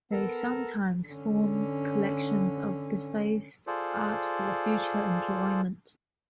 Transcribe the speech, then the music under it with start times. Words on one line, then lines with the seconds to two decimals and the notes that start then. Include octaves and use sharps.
They sometimes form collections of defaced art for future enjoyment.
0.11 B3 A4 A#4
1.08 D3 C#4
3.67 F4 G#4 A4 C5 D5